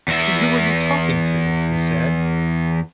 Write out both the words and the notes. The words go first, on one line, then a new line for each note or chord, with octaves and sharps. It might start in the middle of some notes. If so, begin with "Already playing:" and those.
"Then who are you talking to?" he said.
E2 E5